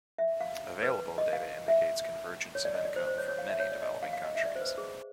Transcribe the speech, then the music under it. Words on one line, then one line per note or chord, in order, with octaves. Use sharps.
Available data indicates convergence of income for many developing countries.
E5
F5
B4
D#5
F5
E5
C#5
D5
D#5
D5
C5
C5
C#5
C#5
F5
E5
C#5
D5
D#5
F5
F5
D#5
E5
D5
C5
B4
C5
G#4